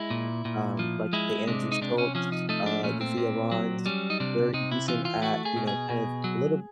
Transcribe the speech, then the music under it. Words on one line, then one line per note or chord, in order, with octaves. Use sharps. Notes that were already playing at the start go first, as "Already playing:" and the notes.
um, like, the Andrew Schultzs, uh, the Theo Vanns, they're decent at, you know, kind of little
Already playing: G#3 E4
A#2
A#2
F3
G#3 E4
C3 D4
D#4
C3 D4
C#4
F3 C#4
D#4
A3 D#4
D4
A#2 C#4
C4
A#2
F#3
G3 C#4
D#4
C3 D4
C3 D#4
E4
E3 F4
F4
A3 F#4
G#4
B2
G#4
B2
F#3